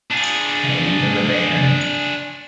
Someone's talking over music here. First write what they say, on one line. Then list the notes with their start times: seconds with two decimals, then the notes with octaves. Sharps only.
And even the ban.
0.11 D4 G#4